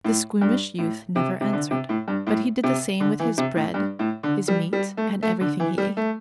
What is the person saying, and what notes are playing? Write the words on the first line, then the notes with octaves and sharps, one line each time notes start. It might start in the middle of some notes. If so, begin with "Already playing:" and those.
The squeamish youth never answered, but he did the same with his bread, his meat, and everything he ate.
A2
G2
A2
C3
C3
D3
C3
A2
G2
A2
C3
D3
E3
C3
A2
G2
A2
D3
G3
G3
A3
A3
D3
E3
G3
A3